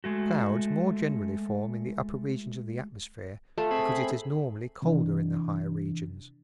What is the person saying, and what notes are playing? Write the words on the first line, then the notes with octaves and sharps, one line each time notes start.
Clouds more generally form in the upper regions of the atmosphere because it is normally colder in the higher regions.
G#3 A3 F#4
A3 F4
C4 G#4 B5
C3 E3 D4